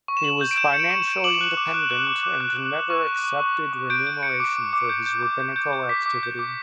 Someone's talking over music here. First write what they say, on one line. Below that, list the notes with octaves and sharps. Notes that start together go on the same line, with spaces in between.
He was financially independent, and never accepted remuneration for his rabbinical activity.
C#6
E7
C#6 F#7
G6
D7
G6 E7
G6 C#7
D7
C#6
E7
G6
D6 F#7
E7
F#6 F#7
D6
F#6
F#6
D6
D6
F#6
F#6
F#6
C#6
F#6
C#6
C#6
C#6
C#6
G6 D7
G6
G6 C#7
D6
D6
D6
G6
G6
D6
G6
G6
G6
D6 B6
D6
G6
D6